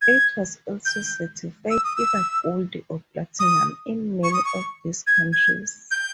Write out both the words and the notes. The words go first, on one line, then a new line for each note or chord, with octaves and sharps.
It was also certified either gold or platinum in many of these countries.
G#6
G6
E6
D#6
E6
D#6
C#6
D#6
C#6
G#6
G#6
G6